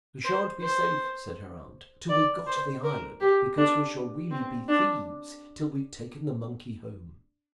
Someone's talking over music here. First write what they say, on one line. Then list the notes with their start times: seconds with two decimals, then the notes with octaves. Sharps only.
"We shan't be safe," said her aunt, "till we've got to the island; because we shall really be thieves till we've taken the monkey home."
0.25 C5
0.62 C5
2.09 D5
2.47 C5
2.84 A#4
3.21 G4
3.58 D4
4.31 C4
4.69 D4